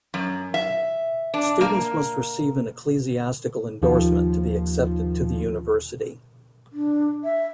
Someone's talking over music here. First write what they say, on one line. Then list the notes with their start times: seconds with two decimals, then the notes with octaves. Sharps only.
Students must receive an ecclesiastical endorsement to be accepted to the university.
0.14 F#2
0.54 E5
1.34 D4
1.61 A#3
3.82 D#2 F3
6.73 D4
7.24 E5